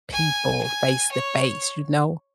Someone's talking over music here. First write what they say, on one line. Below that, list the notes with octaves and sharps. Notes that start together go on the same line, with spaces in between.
people face to face, you know?
G#5
G#5
C#5